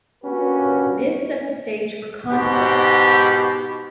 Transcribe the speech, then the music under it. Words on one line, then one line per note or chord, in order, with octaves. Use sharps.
This set the stage for conflict.
A#3 C#4 D4 F#4 G4 B4
G#2 B2 G4